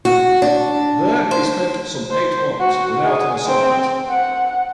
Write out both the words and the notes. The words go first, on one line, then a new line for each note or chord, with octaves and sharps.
There he spent some eight months without an assignment.
F#4
D4
C5
C5
F#4
G#4
C4
F#5